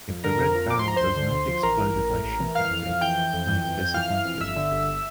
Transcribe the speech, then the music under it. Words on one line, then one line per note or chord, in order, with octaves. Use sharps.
If the red barrel does not explode, if I shoot at it, I am disappointed.
F2
D3 A#4 A#5
F2
F3
D2 D6
C6
F3 A#5
D2 C5 C6
D3
D2
F3
A1 A#4 A#5
E3
A1
A2
A1
E3
E3 F5 F6
F2
F2
E3 G5 G6
E3
F2
E3
F2
F2
E3 F5 F6
E3
F2
G1 E5 E6
D3
G1